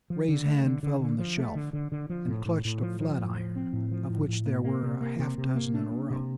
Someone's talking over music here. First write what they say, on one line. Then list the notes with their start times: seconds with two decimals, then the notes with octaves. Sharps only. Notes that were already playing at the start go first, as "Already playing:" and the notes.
Ray's hand fell on the shelf, and clutched a flat-iron, of which there were a half-dozen in a row.
0.10 F3
0.28 D3
0.46 A3
0.64 D3
0.83 D3
1.00 D3
1.19 F3
1.37 A3
1.55 D3
1.73 D3
1.92 D3
2.10 F3
2.28 A2
2.46 A2
2.65 A2
2.82 F3
3.00 F3
3.19 A2
3.38 F3
3.56 C4
3.73 A2
3.91 F3
4.10 A2
4.28 A2
4.46 A#3
4.64 A#3
4.83 C3
5.01 A#3
5.19 C3
5.38 C3
5.55 A#3
5.74 D4
5.91 A#3
6.10 C3